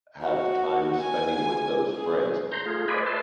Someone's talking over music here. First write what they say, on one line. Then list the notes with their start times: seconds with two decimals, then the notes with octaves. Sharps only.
have time spending with those friends.
0.21 F#4
1.02 G#5
1.94 G#4
2.52 A#5 C6 G6
2.66 A3 F4 G#4
2.88 B4 C5 D5 D#5 G#5 B5
3.06 B4 E5 A5 C6